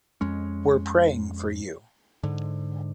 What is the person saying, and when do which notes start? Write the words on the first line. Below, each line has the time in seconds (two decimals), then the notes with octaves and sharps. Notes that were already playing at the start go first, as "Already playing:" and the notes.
We're praying for you.
0.21 F2 G#3 C#4
2.23 G#2 D3